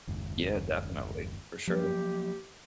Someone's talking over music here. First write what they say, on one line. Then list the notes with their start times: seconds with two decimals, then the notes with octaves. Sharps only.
Yeah, definitely, for sure.
0.07 F#1 D#2 G#2
1.67 F3 F#3 A#3 G4